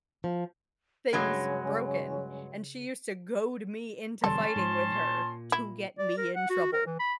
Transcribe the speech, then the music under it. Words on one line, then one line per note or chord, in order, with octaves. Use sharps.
things broken, and she used to goad me into fighting with her to get me in trouble.
F3
G2 C#3 F#3 G#3
E1 D3 G3 C#4 A4 A5 C6
G#2 F3
A#2
E4
D5
A#4
F#5
F#4
A#4
E3
B5